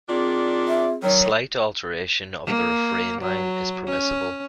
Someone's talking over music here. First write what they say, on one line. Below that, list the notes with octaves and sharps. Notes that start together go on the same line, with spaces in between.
Slight alteration of the refrain line is permissible.
D#3 C4 D4 F4 G#4 D5
E5
D#3 F#3 C#5
A#3
F#3
C#4